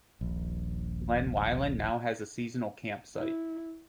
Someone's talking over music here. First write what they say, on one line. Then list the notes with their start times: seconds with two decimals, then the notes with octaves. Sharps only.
Glen Wyllin now has a seasonal camp site.
0.21 D#1 A#1
3.16 E4